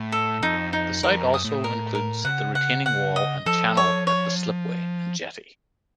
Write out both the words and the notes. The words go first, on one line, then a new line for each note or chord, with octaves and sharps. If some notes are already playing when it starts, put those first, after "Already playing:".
The site also includes the retaining wall and channel at the slipway and jetty.
Already playing: A2
A4
F2 D#4
D#4
F2 A#4
F#2
D#6
A2
A#4
A#4
C#3 F#5
F#5
F#5
D#5
F3 A4
C#5
C#5